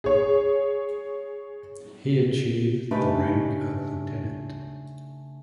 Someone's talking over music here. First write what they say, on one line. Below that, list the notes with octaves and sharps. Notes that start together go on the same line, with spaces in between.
He achieved the rank of lieutenant.
G#4 C#5
C#3 A3 D4 D#4 G4 B4